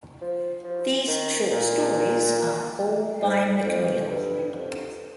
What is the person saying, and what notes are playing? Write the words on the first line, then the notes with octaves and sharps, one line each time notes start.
These short stories are all by McNeile.
F3
F3
D#3
A#2
G#2
F2
G2
F2